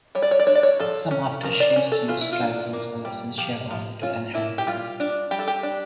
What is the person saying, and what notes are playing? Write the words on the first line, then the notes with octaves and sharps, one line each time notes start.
Some aftershaves use fragrance or essential oil to enhance scent.
G3 C#5
D5
C#5
D5
D4 C#5
D5
C#5
F3 A4
C#4
F3 A#4
D5
C#4
A4
E3 F4
E4
F4
D4
A#3
G3
F3 G4
F3
C#4 F4
A#3 E4
G4
G3 F4
D4
G3 G4
A4
G4
D4